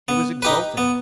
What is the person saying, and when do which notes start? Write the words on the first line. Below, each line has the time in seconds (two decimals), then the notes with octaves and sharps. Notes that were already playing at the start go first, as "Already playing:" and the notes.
He was exultant.
0.08 B3
0.42 D#4 G4 B4
0.77 B3